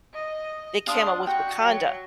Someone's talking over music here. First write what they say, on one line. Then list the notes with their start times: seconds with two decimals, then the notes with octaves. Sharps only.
they came out with Wakanda,
0.14 D#5
0.87 D4 F5 C6 D#6
1.27 F#4 G5
1.63 F#3